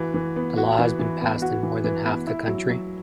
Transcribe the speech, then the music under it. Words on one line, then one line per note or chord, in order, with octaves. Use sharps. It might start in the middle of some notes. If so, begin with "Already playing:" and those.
The law has been passed in more than half the country.
Already playing: E3 F#4
E3
B3
F#4
E3
E3
B3
F#4
E3
E3
B3
E4
F#3
F#3